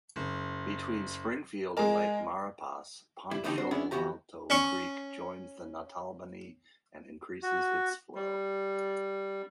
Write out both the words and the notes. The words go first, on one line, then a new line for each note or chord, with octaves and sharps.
Between Springfield and Lake Maurepas, Ponchatoula Creek joins the Natalbany and increases its flow.
F#1
G#3 A#4 D#5 G#5
G3 E4
E2 A2 D3 D#4 G4 A4
C4 D4 F#4 C5
B3 C#4 D4 E4 G#4
E3 B3 F#4 G4 A#5
C#4 C#6
F#4
G3